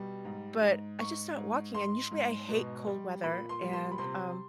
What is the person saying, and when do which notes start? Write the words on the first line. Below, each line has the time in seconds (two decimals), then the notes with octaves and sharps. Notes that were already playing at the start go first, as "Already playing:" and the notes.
but I just started walking, and usually I hate cold weather, and, um,
Already playing: B2 G3
0.25 G#2
0.62 G#2
0.99 G#2 C#6
1.37 G#2
1.74 G#2 C6
2.11 G#2
2.49 B2
2.87 G3
3.24 A#2 B5
3.49 C6
3.61 G3
3.73 C6
3.92 B5
3.98 C3 C6